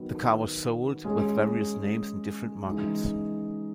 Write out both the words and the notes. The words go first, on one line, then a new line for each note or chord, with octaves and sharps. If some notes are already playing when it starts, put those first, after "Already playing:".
The car was sold with various names in different markets.
Already playing: D#3 F#3 B3
G#3 C#4 G#4
C#3 E3 G#3 D#4